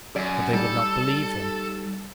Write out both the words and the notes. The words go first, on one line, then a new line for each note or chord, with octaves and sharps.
But they would not believe him.
F#2 D5
G3 D#4 A4 D5